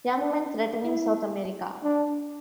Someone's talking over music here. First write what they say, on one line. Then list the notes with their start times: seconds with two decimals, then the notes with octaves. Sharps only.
Young men threatening South America!
0.19 D4
0.84 E4
1.83 D4